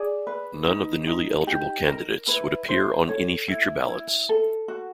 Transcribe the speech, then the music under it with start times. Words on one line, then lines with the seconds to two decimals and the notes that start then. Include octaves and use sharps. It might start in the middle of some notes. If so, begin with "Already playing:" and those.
None of the newly-eligible candidates would appear on any future ballots.
Already playing: G#4 D5
0.27 B4
0.67 D#4
1.07 D#4
1.47 G4
1.88 A#4
2.27 E4 B4
2.68 E4 C5
3.08 A4 C#5
3.48 E4
3.88 E4
4.29 A4
4.68 F#4